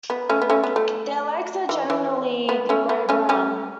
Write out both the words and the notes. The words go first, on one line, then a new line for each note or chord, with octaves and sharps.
Their legs are generally grey-brown.
B3
A3 C#4
B3
A3 C#4
B3
A3
E3
E3
B3
A3 C#4
B3
A3 C#4
A3 C#4